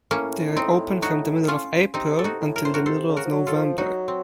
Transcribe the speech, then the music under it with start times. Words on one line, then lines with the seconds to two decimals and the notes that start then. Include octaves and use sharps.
They are open from the middle of April until the middle of November.
0.11 A2 A#3 C#4
0.57 C4 D#4
1.02 D#4 F#4
1.48 C#4 F4
1.94 C3 C4 D#4
2.19 A4
2.24 D#4 F#4
2.40 A2
2.56 A#4
2.65 C5
2.74 F#4 A#4
2.86 C3 A4 C5
3.09 C#3
3.17 F#4 A#4
3.25 F3
3.32 F#3
3.47 F4 A4
3.55 F3
3.78 F#3 D#4 F#4
4.08 C4